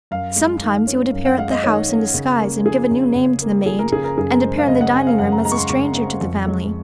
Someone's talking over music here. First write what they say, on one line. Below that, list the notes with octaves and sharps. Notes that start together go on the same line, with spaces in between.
Sometimes he would appear at the house in disguise and give a new name to the maid and appear in the dining-room as a stranger to the family.
F#2 F5
G#3
D#3
C#4
F#2
F#5
G#3 F5
D#5
D#3 C#5
C#4
C#3
A#3
F3 G#4
C#3
C#3
A#3
F3 G#4
A#4
C#3 G#4
A#4
F#2 G#4
A#4
G#3 C5
F5
C#3 D#5
F#5
C4 G#5
F5
F#2 F#5
A#5
G#3 A#5
C#6
C6
C#3 C#6
C4
F2
G#3